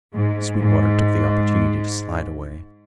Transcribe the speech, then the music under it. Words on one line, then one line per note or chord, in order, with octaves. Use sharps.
Sweetwater took the opportunity to slide away.
G#2
G#2